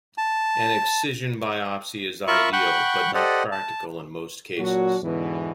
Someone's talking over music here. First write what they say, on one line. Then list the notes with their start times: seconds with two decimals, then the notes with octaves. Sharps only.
An excision biopsy is ideal, but not practical in most cases.
0.18 A5
2.28 F4 A#4 E5 B5 C#6
2.53 F#5 G5 B5 C#6
3.14 G4 A4 C5 D5 D#5 F#5
3.52 A5
4.58 A#2 F#3 D4 F#4
5.03 E2 G#2 B2 D3 E3